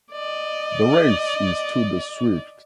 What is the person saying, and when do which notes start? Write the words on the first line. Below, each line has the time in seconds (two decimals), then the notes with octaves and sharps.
The race is to the swift.
0.13 D5 D#5